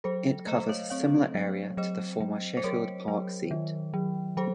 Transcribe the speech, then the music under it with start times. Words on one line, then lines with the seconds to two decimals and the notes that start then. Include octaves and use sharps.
It covers a similar area to the former Sheffield Park seat.
0.04 F#3 A4 C5
0.47 A3 C5 D#5
0.69 C#5 F5
0.90 C4 C#5 F5
1.35 F#3
1.77 F#3 C5 D#5
2.20 F#3
2.57 C5
2.64 F#3 A#4 C#5
3.08 F#3
3.51 D#3
3.94 F#3
4.37 F#3 A4 C5